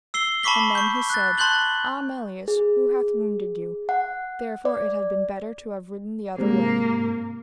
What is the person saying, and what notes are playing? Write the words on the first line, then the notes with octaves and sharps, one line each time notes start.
And then he said: Ah Melias, who hath wounded you? therefore it had been better to have ridden the other way.
E6 C7 G7
A5 B5 C#6 D6 B6 G7
C#6 G6
F#6 A6
A5 C6 F#6 G6 F#7 G7
G#4
F#5
D5
G#2 C3 A#3